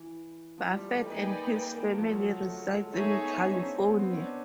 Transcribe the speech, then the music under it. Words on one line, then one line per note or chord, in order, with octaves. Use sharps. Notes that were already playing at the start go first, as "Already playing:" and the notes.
Baffert, and his family reside in California.
Already playing: E3
F3
G3
A3
A#3 D#4 G#4 B4 D5 G5
A#3
A#3
A#3
A3
F3
F#3
A3
A3
A3
A3
G#3
A3 D#4 G#4 C#5 E5
B3
D4
C#4
C4
C#4
C4
B3
C4
C#4
D4